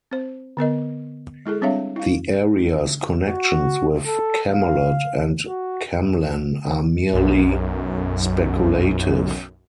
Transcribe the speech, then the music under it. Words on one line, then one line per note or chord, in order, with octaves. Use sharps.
The area's connections with Camelot and Camlann are merely speculative.
C4 C5
D3 B3 A#4 D#5
G#3 E4 G#4 A4
G3 C4 D4 C#5 E5 F5
E4 F5
F#4
A4
F5
F#4
B1 F#2